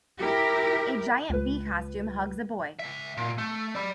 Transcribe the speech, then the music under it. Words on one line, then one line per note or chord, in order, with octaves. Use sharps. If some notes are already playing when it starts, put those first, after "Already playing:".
A giant bee costume hugs a boy.
E4 G4 A#4
C#2 B4
C#2 E5
A#2
A3
D5 B5